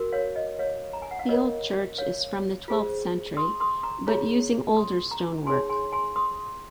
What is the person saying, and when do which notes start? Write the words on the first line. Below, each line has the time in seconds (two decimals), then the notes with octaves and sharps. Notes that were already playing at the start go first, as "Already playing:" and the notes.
The old church is from the twelfth century but using older stonework.
Already playing: F#4 A#4
0.12 C#5 F5
0.36 D#5
0.59 C#5 F5
0.93 A#5
1.02 G#5
1.11 F#5
1.19 F5
1.29 F4 A#4 C#5 D#5
1.98 C#5 F5
2.68 F4 G#4 C5
3.37 C6 D#6
3.60 C6 D#6
3.83 A#5 C#6
4.07 F4 G#4 C#5 A#5 C#6
4.76 C6 D#6
5.11 A#5 C#6
5.46 D#4 G#4 C#5 G#5 C6
5.69 G#5 C6
5.92 G#5 C6
6.16 C6 D#6